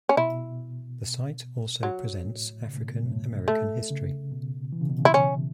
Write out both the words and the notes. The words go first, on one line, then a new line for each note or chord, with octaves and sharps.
The site also presents African-American history.
C#4
B2 E4
F#3
A2
B2
C#3
A2
B2
F#2
A2
A3
C#3
B2
E3
C#3
B2
C#3
E4
C#4